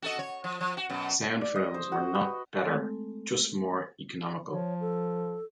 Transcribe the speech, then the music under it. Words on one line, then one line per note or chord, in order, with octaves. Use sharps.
Sound films were not better, just more economical.
F#4 A4 D#5
C#5
F3
F3
F#4
F#2 B2
D5
D#5
C5
F#4
B4
G#3 A3 C4 A4
F3 C#5
A4